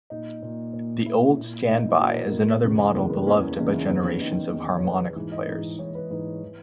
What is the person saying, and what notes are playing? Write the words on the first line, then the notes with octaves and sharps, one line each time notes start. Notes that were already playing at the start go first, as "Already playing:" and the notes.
The Old Standby is another model beloved by generations of harmonica players.
A#2 D#4
A#2
A#2
A#2 E4
A#2
A#2 D#4
D#4
E4
A#2 F#4
A#3
A#3
A#2
E2 C#3 E3
G#3
E2 C#3 E3 A#3
B3
E2 C#3 E3 C#4
E2 C#3 E3 D#4
E4
C#4
E2 D#3 B3
C#4
E2 D#3 D#4
E2 D#3
C#5
E2 D#3 B4
G#2 E3
D#5
G#2 E3
G#2 E3 C#5
B4
G#2 E3 B4
E3